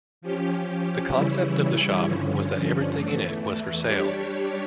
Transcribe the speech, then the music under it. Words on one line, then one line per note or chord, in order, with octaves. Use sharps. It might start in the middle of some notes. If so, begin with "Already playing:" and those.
The concept of the shop was that everything in it was for sale.
F3 C#4 G4
C#3 E3 G3 C#4 E4
G2 D3 F3 C#4
E2 E3 A3
G3 D4 G4 C#5